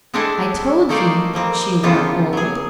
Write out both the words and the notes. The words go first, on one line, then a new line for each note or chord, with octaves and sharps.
"I told ye she wa'n't--old."
G#3 C4 D4 E4 G#4 A4
A3 A#3 D#4 C5 D5 F5
F3 G3 A#3 C4
C#3 G3 A#3 B3 F4 A4
F#3 G#4